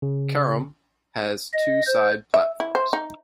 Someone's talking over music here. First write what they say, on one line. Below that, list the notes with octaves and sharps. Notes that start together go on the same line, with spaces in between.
Carrum has two side platforms.
C#3
D#5
C5
E5
E4
C5
D#4